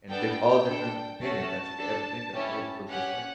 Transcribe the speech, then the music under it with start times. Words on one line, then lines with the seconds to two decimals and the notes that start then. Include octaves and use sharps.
and diff all different opinions that you could ever think of, all different perspectives.
0.09 B3 D4 A4 G5
0.66 D4 A4
1.22 A3 C#4 F#4 A5
1.77 D4 A4
2.33 C#4 E4 G4
2.89 C#4 G4 F#5